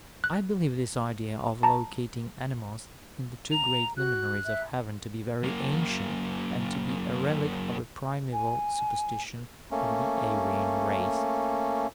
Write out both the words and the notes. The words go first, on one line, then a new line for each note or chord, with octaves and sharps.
I believe this idea of locating animals in the two great luminaries of heaven to be very ancient, and to be a relic of a primeval superstition of the Aryan race.
F#6
A5 A#5
A#5 F7
F#4 F#6
E5
F#2 A#3
G#5
A3 A#3 C#4